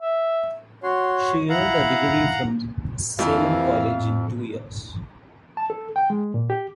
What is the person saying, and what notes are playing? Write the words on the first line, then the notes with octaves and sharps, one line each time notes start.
She earned her degree from Salem College in two years.
E5
F#4 C#5 C6
E4 F5 F#5 A#5
F2 E3 F3 A#3 G4 E5 F5
A5
A4
G5
G#3
A#2
G4